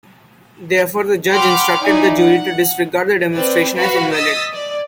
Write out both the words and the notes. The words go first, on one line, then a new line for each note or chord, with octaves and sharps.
Therefore, the judge instructed the jury to disregard the demonstration as invalid.
F#5 G5 B5 C6 D6 F6
D#4 E4 D5 G#5
F#5
C4 B4 D5
F#4 B4 F5 B5
D#5 D#6 E6 A6 B6
D5